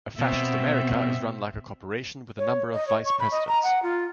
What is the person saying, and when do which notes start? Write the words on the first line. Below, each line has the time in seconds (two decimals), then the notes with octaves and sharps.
A fascist America is run like a corporation with a number of vice-presidents.
0.19 B2 C4 E5
2.38 C#5
2.73 D#5
2.87 C#5
3.05 C#6
3.20 B5
3.31 D#5
3.48 A#5
3.63 F#5
3.83 F4